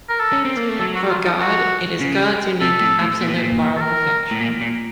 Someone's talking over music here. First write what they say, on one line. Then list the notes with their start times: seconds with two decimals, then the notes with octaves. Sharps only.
For God, it is God's unique absolute moral perfection.
0.09 A#4
0.20 A4
0.33 C#4
0.45 C4
0.57 A#3
0.69 A3
0.80 F#3 A4
0.95 F#4
1.10 F4
1.25 D#4
1.40 F#4
2.01 C#3
2.61 C3 A4
2.81 A2
3.01 A2
3.21 A#2
3.29 A2
3.36 A#2
3.77 A4
3.81 A#4
4.31 A2
4.41 A#2
4.61 A#2